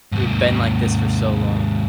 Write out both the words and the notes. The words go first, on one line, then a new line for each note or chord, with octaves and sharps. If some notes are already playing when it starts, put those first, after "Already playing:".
We've been like this for so long.
D#2 G#2